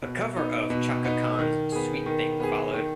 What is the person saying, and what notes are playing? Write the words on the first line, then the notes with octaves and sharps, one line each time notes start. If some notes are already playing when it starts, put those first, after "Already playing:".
A cover of Chaka Khan's "Sweet Thing" followed.
B2
B3 D#4
B2
B3 D#4
D#3
B3 G#4
D#3
B3 G#4
D#3